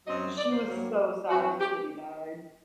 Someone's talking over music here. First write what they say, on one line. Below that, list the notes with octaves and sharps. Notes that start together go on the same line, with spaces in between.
She was so sad when Kitty died.
F#2 F#3 C4 D#5
D5
C5
G2 F#3 A#3
G2 F#3 C4 F#4
G4